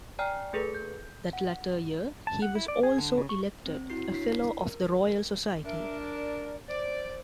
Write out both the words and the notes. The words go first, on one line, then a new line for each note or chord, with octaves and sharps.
That latter year he was also elected a Fellow of the Royal Society.
D5 G5 G#5 A#5 F6 C7
A3 G#4 A4 B4 C#7
G6
F#5
A5
F#5
E4
D5
G#4
D3
C#3
C#6
C4
E4 F#4 C7
D4 E4 C#5 B6 C7
A#4
D4 A#4 E5
D5
C5 D5